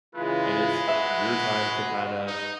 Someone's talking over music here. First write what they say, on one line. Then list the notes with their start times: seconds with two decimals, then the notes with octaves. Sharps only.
and it's your time to kinda
0.15 C#3 E3 G#3 F4 B4
0.88 F#4 E5
2.27 D#4